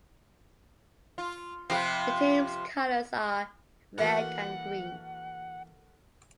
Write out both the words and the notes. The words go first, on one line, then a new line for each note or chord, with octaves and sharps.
The team's colours are red and green.
F4
C3 F3 C4 F4 G4 B4
E3 A#3 F#4 A4 A#4 F#5